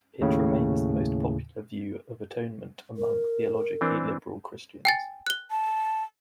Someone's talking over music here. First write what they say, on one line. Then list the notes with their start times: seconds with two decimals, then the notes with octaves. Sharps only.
It remains the most popular view of atonement among theologically liberal Christians.
0.21 D#2 A2 C#3
2.97 A#4
3.81 E3 C4 D4
4.85 G5 G#5 A6
5.27 F#6 G7
5.51 A5